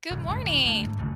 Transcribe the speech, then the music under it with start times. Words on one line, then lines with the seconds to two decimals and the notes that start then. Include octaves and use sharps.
Good morning.
0.11 D#1 G#2 C#3
0.27 F#1 C#2 C#3
0.44 D1 E3
0.65 D2 A3
0.86 G#2
0.98 F#1 E2 C#3 A3